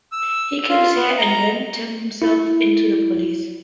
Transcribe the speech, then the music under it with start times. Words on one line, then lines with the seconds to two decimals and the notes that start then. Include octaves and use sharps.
He kills her and then turns himself in to the police.
0.12 E6
0.69 F4
0.96 B3
1.18 A#5
2.22 E4